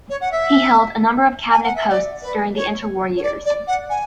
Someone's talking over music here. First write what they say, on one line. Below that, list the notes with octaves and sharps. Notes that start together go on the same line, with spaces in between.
He held a number of cabinet posts during the inter-war years.
C#5
F#5
E5
G#5
F#5
E5
D5
B4
C#5
C#5
D5
D5
F#5
G#5